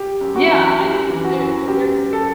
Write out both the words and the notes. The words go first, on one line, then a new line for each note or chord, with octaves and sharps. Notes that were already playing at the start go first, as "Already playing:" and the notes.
yeah, I think there there's
Already playing: G4
F#2
F#4
E3
F#2 G4
E3
F#4
F#2
F#2 G4
F#2
A4